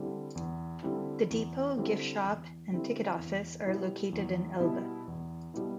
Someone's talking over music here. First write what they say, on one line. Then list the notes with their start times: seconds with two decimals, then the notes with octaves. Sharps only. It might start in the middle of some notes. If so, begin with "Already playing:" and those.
The depot, gift shop and ticket office are located in Elbe.
Already playing: D3 G3 C4 E4
0.35 E2
0.83 D3 G3 C4 E4
1.30 E2
1.77 D3 G3 C4 E4
2.24 E2
2.72 D3 G3 C4 E4
3.19 E2
3.66 B2 G3 B3 E4
4.13 E2
4.60 B2 G3 B3 E4
5.08 E2
5.54 B2 G3 B3 E4